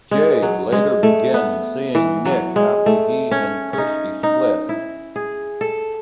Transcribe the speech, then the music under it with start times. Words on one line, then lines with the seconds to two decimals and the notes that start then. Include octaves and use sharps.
Jade later begins seeing Nick after he and Kirsty split.
0.11 G#3
0.42 F#3
0.72 G#3
1.03 A3
1.34 B3
1.95 E3
2.25 F#3
2.56 G#3
2.86 A3
3.31 C#4
3.73 C#4 D#4
4.23 D#4
4.69 E4
5.16 G#4
5.61 A4